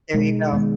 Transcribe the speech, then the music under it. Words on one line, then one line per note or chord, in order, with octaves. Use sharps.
There you go.
B2 G#3 D#4
D#3 G#3 B3